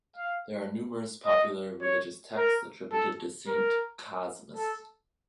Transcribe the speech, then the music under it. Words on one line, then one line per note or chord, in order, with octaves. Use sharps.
There are numerous popular religious texts attributed to Saint Cosmas.
F5
D#5
C#5
A#4
A4
A#4
A4